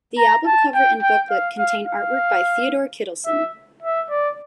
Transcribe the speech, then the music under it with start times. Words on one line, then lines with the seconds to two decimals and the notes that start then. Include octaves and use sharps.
The album cover and booklet contain artwork by Theodor Kittelsen.
0.18 A#5
0.46 A5
0.74 G5
1.02 G5
1.30 F5
1.58 F5
1.86 F5
3.26 E5
3.82 E5
4.10 D5